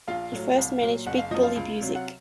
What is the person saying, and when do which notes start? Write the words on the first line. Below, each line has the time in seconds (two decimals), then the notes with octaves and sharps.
He first managed Big Bully Busick.
0.07 A#1 F4 F5
0.32 A2 F#3
0.58 C2
0.82 A#2 F#3
1.06 F#1 F#5
1.18 F5
1.31 F#2 F3 D#5
1.43 F4 F5
1.56 C#2
1.80 C3 F#3
1.95 F#5